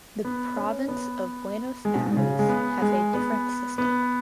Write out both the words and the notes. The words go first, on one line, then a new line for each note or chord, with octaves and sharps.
The Province of Buenos Aires has a different system.
B3
C#4
B3
G#3
B2
G#2
C#3
G#3
B3
G#3
B3
B3